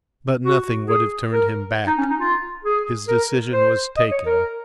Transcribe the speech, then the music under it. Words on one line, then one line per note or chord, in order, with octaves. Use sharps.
But nothing would have turned him back: his decision was taken.
F#4
G#4
A#4
D#4
C#4
D#4
F4
G#4
A#4
C5
D#5
C#5
A#4